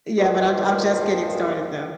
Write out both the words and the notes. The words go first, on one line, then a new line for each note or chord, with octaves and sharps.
Yeah, but I'm I'm just getting started though.
E2 G2 A#2 D#3 F3